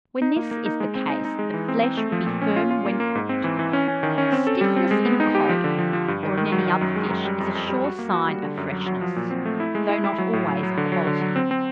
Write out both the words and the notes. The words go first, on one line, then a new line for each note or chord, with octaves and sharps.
When this is the case, the flesh will be firm when cooked. Stiffness in a cod, or in any other fish, is a sure sign of freshness, though not always of quality.
D#4
A#3
A#3
D#4
G#3
C4
D#4
D#4
G#3
E3
C4
C4
A3
F3
A#2
C#4
F4
F4
A#3
A#3
G#2
C4
E3
E3
C#4
C#4
D#3
C#4
C4
A4
G3
C4
G#3
B3
D#4
G4
F3
D3
F3
F3
G2
D#3
D#3
F#3
D#3
F#2
G#3
F#2
G3
F2
F2
G3
F#4
A#3
F#4
G3
D3
F#2
F#3
F#3
F3
A#2
C4
A3
E4
G#3
E4
E4
F#3
A2
F#3
F#3
D3
F#3
D3
F#3
C4
C4